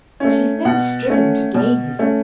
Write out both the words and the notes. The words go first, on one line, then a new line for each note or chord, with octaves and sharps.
She had never striven to gain his love.
A3 C#4
B2 F#5
A3 C#4
B2
A3 C#4